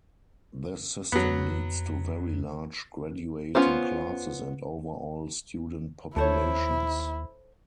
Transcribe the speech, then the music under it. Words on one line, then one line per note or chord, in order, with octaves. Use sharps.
This system leads to very large graduating classes and overall student populations.
F2 F#3 B3
B3 C#4 F4 C5
D#2 E4 A4 C5 C#5